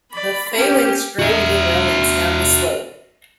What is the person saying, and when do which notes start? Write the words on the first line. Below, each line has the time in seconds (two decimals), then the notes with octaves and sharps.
The phalanx drove the Romans down the slope.
0.12 D5 B5
0.54 C#4 G4
1.19 F#4 E5